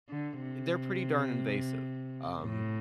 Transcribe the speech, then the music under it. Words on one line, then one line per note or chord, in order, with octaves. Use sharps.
they're pretty darn invasive. Um,
D3
C3
A2